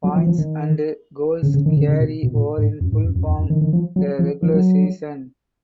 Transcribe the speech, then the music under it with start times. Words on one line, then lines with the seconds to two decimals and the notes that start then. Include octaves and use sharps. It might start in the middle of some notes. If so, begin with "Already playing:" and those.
Points and goals carry over in full from the regular season.
0.04 F#3
0.16 F3
0.27 F3
0.38 D#3
1.43 C#3
1.54 C#3
1.66 D#3
1.76 C#3
1.88 C#3
2.00 B2
2.23 B2
2.35 A#2
2.58 G#2
2.81 F#2
2.92 G#2
3.04 F#2
3.15 F#2
3.27 F2
3.38 F#2
3.50 D#3
3.61 D#3
3.73 F3
3.96 F#3
4.19 F3
4.42 F3
4.54 F#3